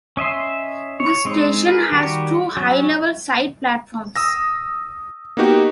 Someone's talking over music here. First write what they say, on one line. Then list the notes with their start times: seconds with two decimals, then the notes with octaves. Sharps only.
This station has two high-level side platforms.
0.17 C#4 D#5 E5 C6
1.00 C#5
1.25 G#3 C4 D#4
1.67 G#4 A#4 B4
1.92 D#3 G3 F#4 G4
2.57 F#3 C#4
4.16 D#6 E6 A#6
5.37 A#3 B3 D#4 F#4 G4